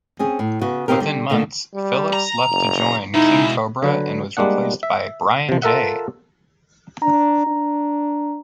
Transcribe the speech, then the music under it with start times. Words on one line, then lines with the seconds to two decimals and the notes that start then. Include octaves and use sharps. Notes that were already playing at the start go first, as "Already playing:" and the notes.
Within months, Phillips left to join King Kobra and was replaced by Brian Jay.
0.19 C4 C#4 G#4
0.39 A2
0.61 C#3 B3 F#4
0.88 D#2 C4 D#4 G4 A#4
1.00 D3 G3
1.30 A#2 D3 D#3 A3
1.74 G3
2.13 A#5
2.51 F#1
3.14 B2 G#3 D#4 E4
3.83 D3 F#3 B4
4.37 G3 G#3 A#3 D4 F#5
4.83 E5
5.49 C3 F3
5.62 F4 A4 A#4 E5 F#5
7.02 D4 A#5
7.47 D4